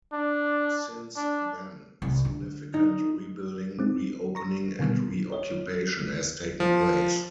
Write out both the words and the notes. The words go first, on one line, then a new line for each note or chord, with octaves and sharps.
Since then, significant rebuilding, reopening, and reoccupation has taken place.
D4
D4
C2
D3
D#4
G#3 C4 D#4
A#5 C#6 A#6
B2 D3 D#3 G3 B3
C#5 D#5
F3